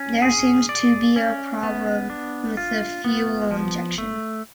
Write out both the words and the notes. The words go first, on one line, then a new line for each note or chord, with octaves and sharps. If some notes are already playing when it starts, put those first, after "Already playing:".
There seems to be a problem with the fuel injection.
Already playing: C#4
G#4
D5
C#4
B3
D4
F4
B3
F3
A3